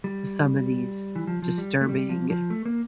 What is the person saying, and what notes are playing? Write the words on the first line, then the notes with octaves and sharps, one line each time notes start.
some of these disturbing,
G3
E3
F3
F3
G3
A3
G3
F3
F3
A3
A#3